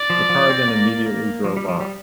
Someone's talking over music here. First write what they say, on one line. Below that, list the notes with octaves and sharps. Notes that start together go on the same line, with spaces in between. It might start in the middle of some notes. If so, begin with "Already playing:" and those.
The car then immediately drove off.
Already playing: D5
F3
F3
C4
A#3
A#3
F3
G3
F3
G3